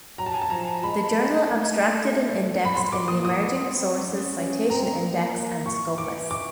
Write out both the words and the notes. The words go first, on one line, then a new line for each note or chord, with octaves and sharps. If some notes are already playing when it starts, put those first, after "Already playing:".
The journal abstracted and indexed in the Emerging Sources Citation Index and Scopus.
F#3 A#5
A5
G#5
A5
F3 A#5
G#3 B5
G#3
A3
B5
C6
D6
A#3 D#6
D#6
B3
C4
C#4
C#4
C4 A#5
A#3
C#6
E3 D6
D6